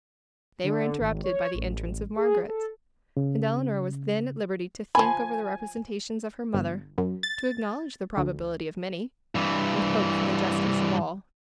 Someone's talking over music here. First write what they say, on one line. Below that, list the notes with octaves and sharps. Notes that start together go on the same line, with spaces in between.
They were interrupted by the entrance of Margaret; and Elinor was then at liberty to think over the representations of her mother, to acknowledge the probability of many, and hope for the justice of all.
D3
G#1
C#5
A1
G#4
A4
C#3
F3 G#5 B5
G1
F#2
A6
D2
G2 E3